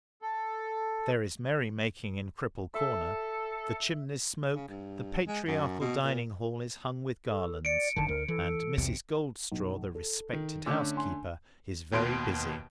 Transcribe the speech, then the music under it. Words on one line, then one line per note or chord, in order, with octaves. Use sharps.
There is merry-making in Cripple Corner, the chimneys smoke, the patriarchal dining-hall is hung with garlands, and Mrs. Goldstraw, the respected housekeeper, is very busy.
A4
A4 E5
C#3
G2
G#3
F#2
B2
A#2
A4
D5 C#7 D7
F#1 D3 D#3 A5
D2 A#4
E3 A4
B1 E2 C3
B1
A4
D#3
D3 A3 C#4 D6 E6 G6
G#5 C6
D#2 B2 C6 D7